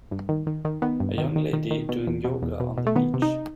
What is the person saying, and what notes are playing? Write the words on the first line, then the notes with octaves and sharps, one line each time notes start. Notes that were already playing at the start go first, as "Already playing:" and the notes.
A young lady doing yoga on the beach.
G2
D#3
D#3
D#3
D#3 B3
G2
D#3
D#3
D#3
D#3
B2
E2
B2
E2
B2
B2
A3
D#3 B3
C3
D#4